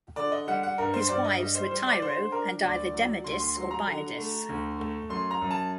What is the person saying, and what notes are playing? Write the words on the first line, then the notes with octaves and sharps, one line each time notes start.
His wives were Tyro and either Demodice or Biadice.
D3 D5
D#5
G3 F#5
F#5
G2 A#4
C5
G2 D5
D#5
G3 D#5
C5
G3 C5
D5
D3 C5
C5
D4 A#4
D2 D5
F#3
D2 C6
C6
F#3 C6
A#5
D3
A3
D2
A3
F#2 C6
A#5
F#2
A5